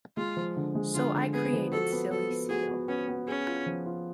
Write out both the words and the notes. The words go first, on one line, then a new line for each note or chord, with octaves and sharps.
So I created "Silly Seal".
G#3 F4
F3
D3
G#3
D3 F4
D3
B3 G#4
F3
F#4 A4
B3
B3 A4
B3
F#4 G#4
B3
B3 C#4
B3
C#4 G#4
F4
F3
F4